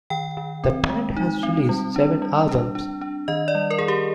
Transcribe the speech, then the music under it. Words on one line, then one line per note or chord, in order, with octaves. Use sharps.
The band has released seven albums.
D#3 G5
D#3
C4
G#3
D#4
C4
G3
D4
G3
D4
D4
D4
D#3 D#5
D5
G3
A#4
D#3 G#4
G4